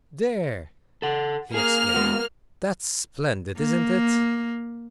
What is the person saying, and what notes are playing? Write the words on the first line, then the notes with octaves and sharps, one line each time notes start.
"There!" he exclaimed; "that's splendid, isn't it?"
A4 F#5
A#3 G#4 F6
G#3 B3 F#4
A#3